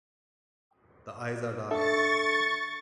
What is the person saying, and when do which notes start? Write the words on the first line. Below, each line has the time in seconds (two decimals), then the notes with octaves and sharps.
The eyes are dark.
1.71 D4 A4 E5 C#6 A6